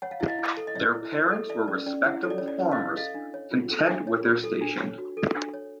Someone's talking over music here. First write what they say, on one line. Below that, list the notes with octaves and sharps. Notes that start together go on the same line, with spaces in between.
Their parents were respectable farmers, content with their station.
C#5 F#5
F5
E4 E5
D#5 F5
E4
A4
D#5
C#5 D5 E5
E4
E5
E4 C#5 D#5
A4
A4 D5 E5
C#4 D5
C#4 D5
E4 E5 F#5
A4 C#5
D5
C#4 C#5
D5
C#4
D#5 F5
E4
A4 D#5 F5
D4
C#5
F4
A4
D4
C#5
F4
A4
D4
C#5
F#4
A4
D4
C#5